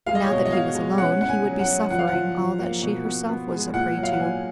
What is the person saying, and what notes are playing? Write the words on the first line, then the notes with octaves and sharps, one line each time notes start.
Now that he was alone, he would be suffering all that she herself was a prey to.
G#3 F5
D#5
C#5
B2 D#5
D#5
B2 F5
G#3
C#4 F#5
C#4 F#5
G#5
F#3
F#5
F#3
F3 F#5
F5
F#5
F3
F3
A#3
B2
B2
B3
G#3
A#2 F#5
F#3
F5
F#5
A#2 G#5